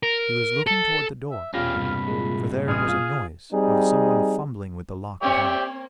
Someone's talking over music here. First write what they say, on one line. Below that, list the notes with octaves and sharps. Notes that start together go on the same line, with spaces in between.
He was looking toward the door, for there was a noise of someone fumbling with the lock without.
A#4
A4
E5
E1 C#4 F4 G4 B5 F6 A#6
G2 C3
A#2 G#3
A1 G#4 D#6 F6
F4 D#6
G3 C4 D#4 G#4
A#3 C4 G4 C#5 D5 E5 G5